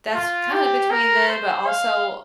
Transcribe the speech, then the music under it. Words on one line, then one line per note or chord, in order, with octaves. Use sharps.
that's kinda between them, but, also
F4
G4
A#4
C5
F5